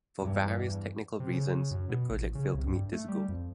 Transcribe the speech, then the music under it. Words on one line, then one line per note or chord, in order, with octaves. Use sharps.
For various technical reasons the project failed to meet this goal.
E2 G2
C3
C#3
C#3
F#2
B2
A1
C#3
C2
G2
A3
G3
F2